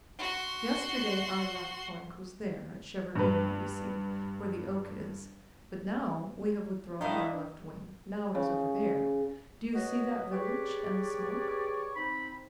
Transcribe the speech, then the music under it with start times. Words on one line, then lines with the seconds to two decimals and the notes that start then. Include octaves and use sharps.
Yesterday our left flank was there at Shevardino, you see, where the oak is, but now we have withdrawn our left wing--now it is over there, do you see that village and the smoke?
0.19 F#4 C6
3.15 G2 B4
7.01 D#3 D4 E4 D#5 F5
8.35 C#3
9.75 F#4 B4 C#5 D#5
10.32 G4 G#4 B4 C#5 D5
11.95 C4 D#4 B5